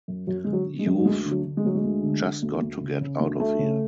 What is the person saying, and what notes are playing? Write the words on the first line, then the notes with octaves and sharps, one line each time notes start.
You've just got to get out of here!
F#2
F#2 F#3
D3 G#3
F#3
D3
G#3
F#2
F#3
D2 G#3
D3
F#3
D3
G#3
D2 F#3
G#3
D2
D3
D3
D2
D2
C#3
C#3
D2
D2 A3
C#3